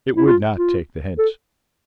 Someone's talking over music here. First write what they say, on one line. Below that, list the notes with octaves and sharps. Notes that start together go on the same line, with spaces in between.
It would not take the hint.
E4
F4
F4
A4